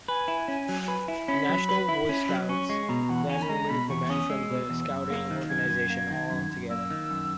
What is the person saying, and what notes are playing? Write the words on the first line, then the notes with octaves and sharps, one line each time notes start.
The national Boy Scouts then removed the men from the scouting organization altogether.
B4 G#5
E4
C#4
F#3
B4
E4
C#4 B5
F#3
B4
E4
C#4
F#3
C#4 C#6
G#3 C#6
B2 A#5
E2 F#5
C#4 G#5
B5
G#3 A#5
B2 B5
E2 C#6
C#4 D#6
G#3 E6
B2
E2
F#2
A#3
D#3
F#2 G#6
F#2
A#3
D#3
F#2
F#2
A#3 E6
D#3
F#2